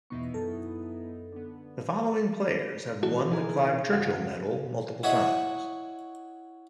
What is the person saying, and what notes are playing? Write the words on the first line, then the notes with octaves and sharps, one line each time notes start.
The following players have won the Clive Churchill Medal multiple times.
E2 B2 B3 D#4 E4 C#6
F#2 A4
D3 B3
C3 E3 F#3 G#3 F#4 A4
B2 E3 D#4 E4 G#4 A#4
D2 G#2 C#3 F#4 F5
E4 F#4 C#5 D#5